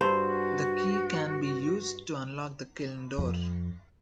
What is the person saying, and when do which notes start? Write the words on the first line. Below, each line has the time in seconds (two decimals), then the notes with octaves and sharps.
The key can then be used to unlock the kiln door.
0.01 G2 F#4 C5
3.18 F2